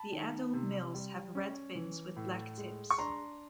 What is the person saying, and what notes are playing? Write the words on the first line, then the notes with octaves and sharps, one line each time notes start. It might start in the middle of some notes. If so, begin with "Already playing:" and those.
The adult males have red fins with black tips.
Already playing: A5 B5
D#3
C3
G3
C#4
E3
A2
G#3
C#6
D4 A#5 C6